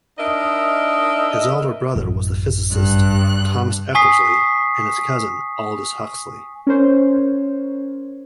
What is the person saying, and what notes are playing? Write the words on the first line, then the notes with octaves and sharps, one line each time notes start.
His elder brother was the physicist Thomas Eckersley; and his cousin, Aldous Huxley.
D4 D#4 A#4 D#5 E5
A1 F#2
G2 F#6
G#5 C#6 D#6 B6 C7
C#4 A#4 C5 C#5